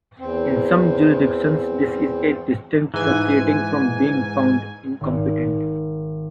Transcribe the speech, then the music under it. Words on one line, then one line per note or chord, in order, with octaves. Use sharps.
In some jurisdictions, this is a distinct proceeding from being "found incompetent".
E2 C4
G#2 E3 G#5
G#1